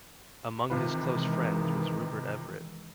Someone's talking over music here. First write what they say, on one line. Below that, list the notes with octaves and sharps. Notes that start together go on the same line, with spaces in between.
Among his close friends was Rupert Everett.
C3 D#3 E3 G#3 F4 B4